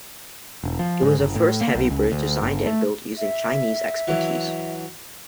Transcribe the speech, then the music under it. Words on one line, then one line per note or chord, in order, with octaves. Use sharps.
It was the first heavy bridge designed and built using Chinese expertise.
E1
F3
G#2
G1
A2
A#3
B1
C#2
D2
G1
A3
E5
E3 F#3